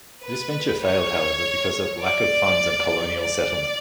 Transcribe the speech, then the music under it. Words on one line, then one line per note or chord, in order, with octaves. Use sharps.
This venture failed, however, because of lack of funds and colonial settlement.
B4
C#5
D5
D5